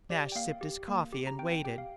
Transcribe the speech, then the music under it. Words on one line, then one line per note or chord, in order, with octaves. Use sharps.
Nash sipped his coffee and waited.
G4 D5
G5
A#3 F5
G4
A#3
G4
A#5
C4 G5
G5
G4 G5
F5